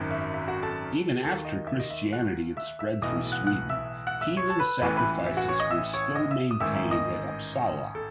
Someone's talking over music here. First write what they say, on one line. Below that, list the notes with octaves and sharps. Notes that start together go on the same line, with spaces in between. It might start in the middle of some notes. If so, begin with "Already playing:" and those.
Even after Christianity had spread through Sweden, heathen sacrifices were still maintained at Uppsala.
Already playing: G#1 F#2 D#3
E5
E5
F#4 F#5
A4 A5
D#2 D#3 A4 A5
D#5
E5
D#5
E5
F#5 F#6
E5 E6
E5 E6
B1 A2 E3 D#5 D#6
F#5 F#6
F#5 F#6
E5 E6
F#5 F#6
E5 E6
C#5 C#6
A5
B4 B5
A1 A2 E3 B4 B5
B4 B5
E5
F#4 F#5
C#5 C#6
D#5 D#6
E5 E6
C#5 C#6
D#5 D#6
E5 E6
D#6
A1 G#2 D#3 E5 E6
E5 E6
D#5 D#6
A4